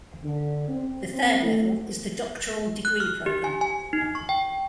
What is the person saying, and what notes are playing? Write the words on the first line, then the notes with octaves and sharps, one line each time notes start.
The third level is the doctoral degree program.
D3
C4
C4
A3
F#6
F6
G4
G#5
G#5
D#4
C#6
G5